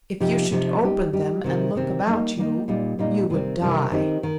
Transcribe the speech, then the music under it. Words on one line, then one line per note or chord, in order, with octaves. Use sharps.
If you should open them and look about you, you would die.
C3 F3 D#4 G4
C3 F3 D#4 G4
G3 D#4 G4
G3 D#4 G4
C3 D#3 C4 G4
C3 D#3 C4 G4
G3 A#3 D#4
G3 A#3 D#4
A#2 G3 D#4
A#2 G3 D#4
C3 D#3 G3 C4
C3 D#3 G3 C4
D#3 C4 D#4 G4
D#3